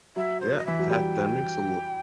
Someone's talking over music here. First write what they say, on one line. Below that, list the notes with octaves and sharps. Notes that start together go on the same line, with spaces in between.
Yeah, that that makes a lo
F#3 E5
C5
D#5
E3 E5
F#3
G3 G5